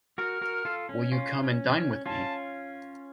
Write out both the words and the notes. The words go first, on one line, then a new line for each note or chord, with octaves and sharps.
Will you come and dine with me?
F#4 A#4 F6
F#4 A#4
F4 A4
C#4
C#4 F4
C#4
C4
C#4
C#4 F4 A5